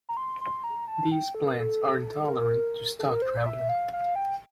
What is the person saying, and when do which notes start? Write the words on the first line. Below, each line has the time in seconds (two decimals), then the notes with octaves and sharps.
These plants are intolerant to stock trampling.
0.09 A#5
0.17 C6
0.41 C6
0.64 A#5
0.88 A5
1.12 G5
1.35 A4
1.47 A#4
1.60 A4
2.24 A4
2.28 A#4
2.99 A4
3.11 A#4
3.22 C5
3.37 D5
3.46 E5
3.69 F5
3.93 F5
4.15 G5